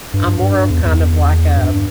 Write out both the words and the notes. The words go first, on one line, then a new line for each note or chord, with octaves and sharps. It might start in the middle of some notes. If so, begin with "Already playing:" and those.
I'm more of kind of like, um,
G2
G2
G2
E2
E2
G2